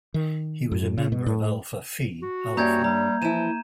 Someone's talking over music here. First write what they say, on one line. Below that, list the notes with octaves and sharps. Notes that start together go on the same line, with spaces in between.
He was a member of Alpha Phi Alpha.
D#3
F#2
C#3
B2
A2
F#4
G2 A#3 C#4 G4 A#5 G6 G#6
G3 A#5
E3 F3 E4 D#7 E7